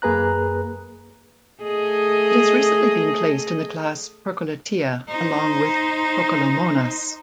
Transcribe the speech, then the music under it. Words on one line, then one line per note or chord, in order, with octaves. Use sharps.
It has recently been placed in the class Percolatea, along with "Percolomonas".
F#2 A#3 G#4 B4 A#5 F#6
A3 G#4 D#5
D#4 C5